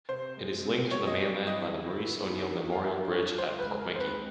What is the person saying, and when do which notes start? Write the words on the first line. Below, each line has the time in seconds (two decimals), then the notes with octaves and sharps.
It is linked to the mainland by the Maurice O'Neill Memorial Bridge at Portmagee.
0.09 C3 C5
0.37 G#3
0.64 C4
0.91 F#3 C#5
1.07 D#5
1.19 C4 D5
1.46 E4 D#5
1.74 D3
2.01 B3
2.29 D#4
2.56 F#3
2.72 F5
2.84 D4 E5
3.11 F4 C#5
3.38 C#2 C5
3.59 B4
3.66 G#3
3.79 A#4
3.93 C4 C5
4.00 B4